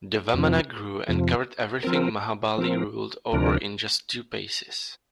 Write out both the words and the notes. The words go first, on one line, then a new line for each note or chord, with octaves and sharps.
The Vamana grew and covered everything Mahabali ruled over in just two paces.
F2 C3 F3
F2 C3 F3
F3 C4 A#4
F3 C4 A#4
D2 C3 F3 D4 A#4